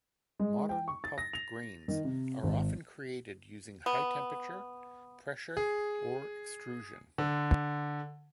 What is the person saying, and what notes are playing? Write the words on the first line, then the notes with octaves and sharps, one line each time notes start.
Modern puffed grains are often created using high temperature, pressure, or extrusion.
G#3
G5
C#6
A6
A#6
F7
D#3
C3
G#1
B3
G#4
D3